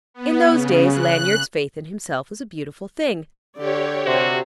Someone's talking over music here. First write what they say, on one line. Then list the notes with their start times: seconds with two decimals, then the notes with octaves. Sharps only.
In those days Lanyard's faith in himself was a beautiful thing.
0.14 B3
0.49 C#3
0.89 F#6
3.58 D3 G4 C#5 D5
4.06 C3 F#4